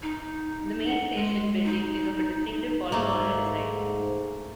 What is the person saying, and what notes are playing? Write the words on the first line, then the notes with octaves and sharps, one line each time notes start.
The main station building is of a distinctive polygonal design.
D#4
F#5
G#3
D#4
G#2 A3 A#3